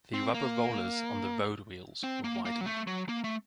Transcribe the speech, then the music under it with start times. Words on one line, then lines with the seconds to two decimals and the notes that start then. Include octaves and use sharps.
The rubber rollers on the roadwheels were widened.
0.14 C4
0.34 A#3
2.03 C4
2.24 A#3
2.45 A#3
2.61 F#3
2.66 A3
2.87 F#3
3.09 A#3
3.24 A3